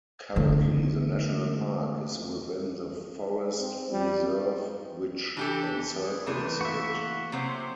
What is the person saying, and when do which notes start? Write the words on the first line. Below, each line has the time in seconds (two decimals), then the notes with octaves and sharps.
Currently the national park is within the forest reserve which encircles it.
0.36 D3 A3
3.59 C4
3.91 G3
5.37 E3 D4 G4 A4
6.04 G#4
6.26 C3 E3 A3 B4
6.61 A#3 F#4 E5
7.32 C3 F#3 C5